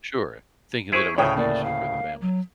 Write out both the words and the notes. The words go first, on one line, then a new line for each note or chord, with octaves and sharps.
Sure, thinking that it might be useful for the family.
E4 G#4 C5 C#6
D2 A2 C#3 C#5 G5 D#6
A#3 D5
F5
F#3